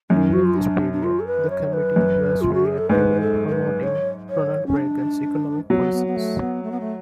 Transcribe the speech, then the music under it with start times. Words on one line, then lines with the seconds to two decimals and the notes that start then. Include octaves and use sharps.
During this period, the committee was very active in promoting Ronald Reagan's economic policies.
0.10 F#2 C#4
0.32 F#4
0.45 F4
0.56 D4
0.93 D4
1.03 F4
1.20 A4
1.27 B4
1.50 C#5
1.73 B4
1.96 F#2
2.41 F4
2.54 F#4
2.65 G#4
2.78 A4
2.89 G#2 B4
3.21 A4
3.48 A4
3.52 B4
3.83 C#5
4.29 C#5
4.66 C#4
4.76 D4
5.70 F#3 B3
5.93 B3
6.07 B3
6.16 A3
6.40 B3
6.63 A3
6.71 B3
6.80 A3